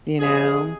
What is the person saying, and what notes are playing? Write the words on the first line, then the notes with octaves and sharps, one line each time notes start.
you know,
C3 F3 G#3 G#4